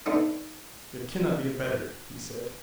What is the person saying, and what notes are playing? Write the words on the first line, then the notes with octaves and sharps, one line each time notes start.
There cannot be a better, he said.
A3 B3 C4 D4 D#4